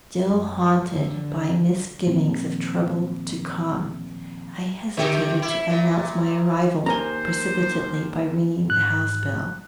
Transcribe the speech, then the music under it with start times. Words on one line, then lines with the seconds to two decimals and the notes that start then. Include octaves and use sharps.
Still haunted by misgivings of trouble to come, I hesitated to announce my arrival precipitately by ringing the house-bell.
0.24 F#2
0.90 D3
2.07 A#2 D#3 F3 A#3 C4
4.97 D3 G4
5.42 E4
5.70 A#2
6.86 D#2 A#4 C5 G#5 A#5 G7
8.70 G#2 F#6